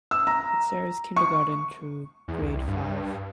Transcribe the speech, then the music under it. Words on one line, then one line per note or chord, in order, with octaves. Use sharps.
It serves kindergarten through grade five.
E6
A#5
C#6
E2
C2
G2